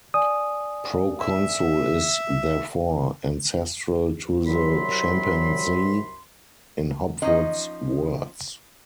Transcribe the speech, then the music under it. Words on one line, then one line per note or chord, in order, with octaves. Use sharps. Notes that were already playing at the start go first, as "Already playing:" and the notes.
Proconsul is therefore "ancestral to the Chimpanzee" in Hopwood's words.
D5 G#5 D#6
E5
C2 F#2 F#3 B5 C6
F3 C#4 D#4 D#5